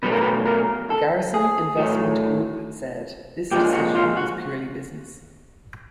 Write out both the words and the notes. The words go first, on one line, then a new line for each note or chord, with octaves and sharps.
Garrison Investment Group said this decision was purely business.
B2 F#3 A3 B4
A#4
B4
A#4
A4
G#4
A2 F#3 A3
A#2 F3 G#3 G4
F#4
F4
F#4